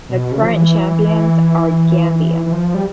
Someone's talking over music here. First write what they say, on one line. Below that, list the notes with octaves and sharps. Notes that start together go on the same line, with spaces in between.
The current champions are Gambia.
B2
C#3
F3
E3
E3
F3
G3